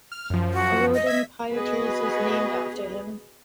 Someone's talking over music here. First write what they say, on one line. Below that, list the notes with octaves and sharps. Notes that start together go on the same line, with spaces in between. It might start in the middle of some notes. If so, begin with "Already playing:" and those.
A road in Poitiers was named after him.
F6
F#2 F3
F#4
D#5
E5 G#6 B6
B3 F#4 G#4 B4 D#5